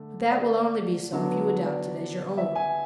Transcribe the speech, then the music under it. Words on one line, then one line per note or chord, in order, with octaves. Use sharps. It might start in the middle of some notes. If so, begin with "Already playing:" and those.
But that will only be so if you adopt it as your own.
Already playing: D3 A3
D5
D3 F#3 B3
D5
E5
G#5